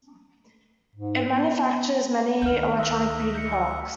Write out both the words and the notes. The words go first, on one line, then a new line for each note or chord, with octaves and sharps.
It manufactures many electronic beauty products.
G#2
B3
D2 D#3 F6 G6
D#5 E5 C6 F#6
G6 C#7